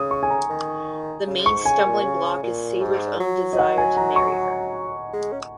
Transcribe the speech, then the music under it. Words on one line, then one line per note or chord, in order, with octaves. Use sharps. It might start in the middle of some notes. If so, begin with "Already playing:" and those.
The main stumbling block is Saber’s own desire to marry her.
Already playing: C#3 D#6
C#6
G#5
A#5
D#3
C#3
G#2 C#6
C#3 G#5
A#2
C#3
A#2
G#2
F#3
D#5
F#5
G#5
A#5
C#6
G#3
C#4